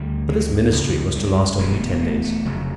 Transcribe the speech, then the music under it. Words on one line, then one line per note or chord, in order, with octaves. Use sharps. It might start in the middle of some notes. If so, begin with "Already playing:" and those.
But this ministry was to last only ten days.
Already playing: D2 D3 G3
G#3
C#2 C#3
G3
E1 E2 B2 G#3
A3
A#3
A3
A3
F1 F2 C#3 F#3